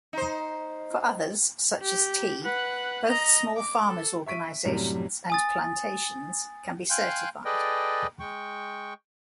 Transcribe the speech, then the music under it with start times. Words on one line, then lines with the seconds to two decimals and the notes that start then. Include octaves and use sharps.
For others, such as tea, both small farmers' organizations and plantations can be certified.
0.13 D#4 C5
1.82 G4
2.44 B4 F#5
3.07 D#5 A#5
3.57 D6
3.89 A4
4.26 E5 C#6 B6 D7 D#7
4.65 F#2 A2 C3 G3
5.30 G#5 D#6 A6
6.90 F5 G5 G#5 C6 F#6 G6
7.45 G#4 A4 B4 D5 D#5 G5
8.20 G#3 G5 C#6